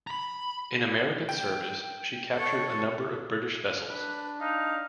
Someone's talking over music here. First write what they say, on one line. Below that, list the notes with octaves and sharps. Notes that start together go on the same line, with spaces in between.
In American service she captured a number of British vessels.
A#5 B5
G5
A4 C#5
D4 B4
D#4 F5